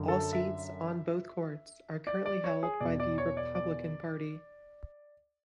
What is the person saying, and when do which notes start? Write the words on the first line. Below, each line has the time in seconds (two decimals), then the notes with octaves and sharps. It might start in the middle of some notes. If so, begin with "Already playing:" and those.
All seats on both courts are currently held by the Republican Party.
Already playing: F#2 D3
0.08 A4
0.33 E5
2.07 D5
2.26 D5
2.44 C#5
2.63 G#4
2.81 E2 B2 D5
3.00 D5
3.18 C#5
3.37 D5
3.55 D5